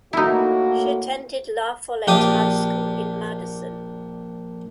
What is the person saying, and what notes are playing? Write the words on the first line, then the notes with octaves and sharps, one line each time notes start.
She attended La Follette High School in Madison.
A2 A#3 D#4 E4 F#4
A#1 D4 G4 F5 D6 D#6